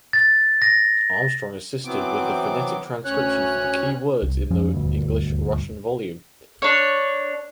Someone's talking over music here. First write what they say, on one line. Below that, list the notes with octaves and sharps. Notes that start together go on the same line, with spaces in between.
Armstrong assisted with the phonetic transcription for the keywords in the English–Russian volume.
A6
A#6
E3 F#3 B3 C4 D6
D2 C#4 C#5 F#6
C2
F2 F3 C#4
D#1 D2 G2
D4 C#5